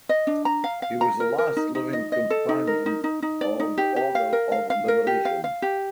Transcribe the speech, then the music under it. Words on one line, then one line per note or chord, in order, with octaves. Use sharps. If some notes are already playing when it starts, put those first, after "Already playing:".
He was the last living Companion of the Order of Liberation.
D#5
D4
A#5
F5
F5
A#5
A#4
A#4
D#4
D#4
D#5
D#5
A4
D#4
A#4
D#4
D#4
D#4
D5
D#4
G4
G4
F5
A#4
F5
F5
A#4
G4
F5
F5
G4